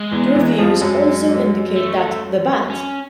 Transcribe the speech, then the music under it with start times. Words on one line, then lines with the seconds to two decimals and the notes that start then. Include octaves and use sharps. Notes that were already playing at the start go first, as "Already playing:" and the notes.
The reviews also indicate that The Bat!
Already playing: G#3
0.11 E2 E3
0.35 E2 E3
0.58 F2 F3
0.82 F#2 F#3
1.76 A3
2.70 C#4